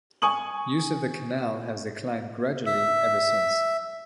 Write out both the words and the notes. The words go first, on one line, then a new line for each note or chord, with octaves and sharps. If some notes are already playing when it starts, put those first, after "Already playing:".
Use of the canal has declined gradually ever since.
G#5 C#6 D#6 F#7
E5